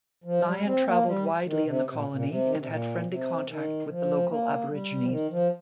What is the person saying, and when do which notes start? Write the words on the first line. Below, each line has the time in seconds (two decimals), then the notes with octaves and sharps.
Lyon travelled widely in the colony and had friendly contact with the local aborigines.
0.24 F3
0.44 G3
0.64 C4
0.85 A#3
1.06 G3
1.45 D#3
1.65 C3
1.85 C3
1.94 A#2
2.11 A#2
2.26 C3
2.45 D#3
2.56 C3
2.66 A#2
3.07 C3
3.47 D#3
3.89 F3
4.29 A#3
4.69 G3
5.02 F3
5.09 D#3
5.30 F3